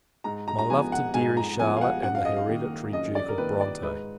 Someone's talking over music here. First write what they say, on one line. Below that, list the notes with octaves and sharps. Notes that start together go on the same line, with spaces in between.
My love to deary, Charlotte, and the hereditary Duke of Bronte.
G#2 A#5
A#5
A#5
F3 B3 G#5
F#5
G#2 G#5
A#5
F3 B3 G#5
F5
F#5
F#2 F#5
F5
D#5
F5
D#3 A#3
F#2 D#5
D5
A#4
D#3 A#3 B4
D5
G#2 B4